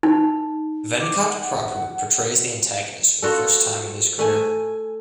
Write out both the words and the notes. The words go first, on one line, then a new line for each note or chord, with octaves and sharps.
Venkat Prabhu portrays the antagonist for the first time in his career.
D#4
D6
F#5
F4 F#4 A4
A3 G#5